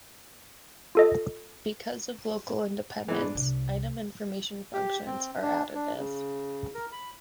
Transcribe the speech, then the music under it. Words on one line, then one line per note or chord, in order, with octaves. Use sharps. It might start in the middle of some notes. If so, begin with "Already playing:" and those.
Because of local independence, item information functions are additive.
F4 A4 D#5
E3 G#3 B3
D4
C2
G4
C4
D4
D4
C#3
A#4
B5